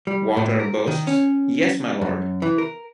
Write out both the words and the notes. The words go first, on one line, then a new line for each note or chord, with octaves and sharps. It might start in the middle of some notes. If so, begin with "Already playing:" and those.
Walter boasts: Yes, my lord!
G3
A2
A#4
D#3
C#4
F#2
E3
A#4